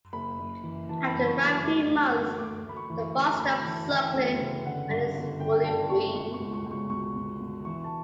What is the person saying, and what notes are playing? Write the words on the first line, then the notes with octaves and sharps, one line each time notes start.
After around three months, the fawn stops suckling and is fully weaned.
F#1 B5
F#1
E3
E3 A5
B5
F#1
C#6
F#2
D6
D2 D6
D2
C#6
D2
D2 D6
D2 B5
C#6
E3
D2 C#6
D2 B5
E3 A5
E3 G5
D2
C#3
D3 F#5
G2
G1
D3 G5
D3 A5
G1 C#6
B2 C#6
C#6
C#2
C#6
C#2
C#6
B2 C#6
B2
B2
E3 C#6
A5